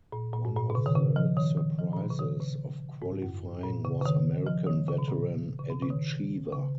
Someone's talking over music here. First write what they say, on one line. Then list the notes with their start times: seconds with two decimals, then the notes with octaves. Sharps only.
One of the surprises of qualifying was American veteran Eddie Cheever.
0.12 A#2
0.33 A#2
0.45 G#2
0.56 A#2
0.70 B2
0.75 C#3
0.86 D#3
0.95 C#3
1.16 F3
1.37 D#3
1.58 D#3
1.79 F3
1.93 A#2
2.01 B2
2.11 C#3
2.19 D#3
2.40 C#3
3.02 G#2
3.22 F#2
3.63 A#2
3.85 C#3
4.01 C#3
4.06 D#3
4.47 F3
4.67 D#3
4.88 C#3
4.98 B2
5.08 A#2
5.59 C#3
5.70 B2
5.83 C#3
5.90 D#3
6.52 C#3